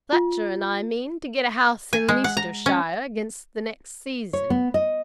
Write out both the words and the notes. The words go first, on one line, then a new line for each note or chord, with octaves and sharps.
Fletcher and I mean to get a house in Leicestershire, against the next season.
F4
G#5
G#3
F#5
A#5
C#4
C#5
B3
D#5